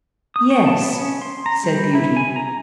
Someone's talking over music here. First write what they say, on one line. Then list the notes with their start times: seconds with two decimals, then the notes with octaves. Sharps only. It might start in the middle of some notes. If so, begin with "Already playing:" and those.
"Yes," said Beauty.
0.36 D#6
0.50 C#5
0.66 A5
0.82 B3
0.98 C#4
1.22 C6
1.46 A#5
1.64 G3
1.95 E4
2.16 G#5
2.36 A#5